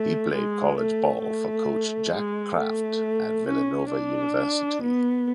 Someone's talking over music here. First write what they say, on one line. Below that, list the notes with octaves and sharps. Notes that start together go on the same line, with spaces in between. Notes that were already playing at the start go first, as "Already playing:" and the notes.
He played college ball for coach Jack Kraft at Villanova University.
Already playing: A3
G#3
A3
A3
G#3
A3
C#4
D4
B3